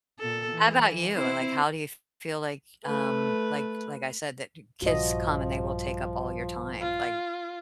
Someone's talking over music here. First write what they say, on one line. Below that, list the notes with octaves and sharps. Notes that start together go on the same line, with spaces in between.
How about you? Like, how do you feel like, um, like like I said, that kids come and they will take up all your time, like,
A#2 A4
E3
C4 E4 C5
A3 B4
A#1 G2 F3 F#4 D#5
F4